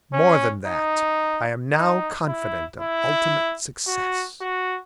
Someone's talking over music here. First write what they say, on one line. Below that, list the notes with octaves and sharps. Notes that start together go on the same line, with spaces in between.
"More than that, I am now confident of ultimate success."
C#4
D#4
D#4
E4
E4
F#4
F#4